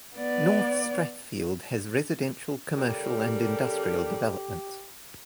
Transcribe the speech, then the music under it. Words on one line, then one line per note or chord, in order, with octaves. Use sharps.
North Strathfield has residential, commercial and industrial developments.
B3 D5
C#3 G3 G4 A4 A#4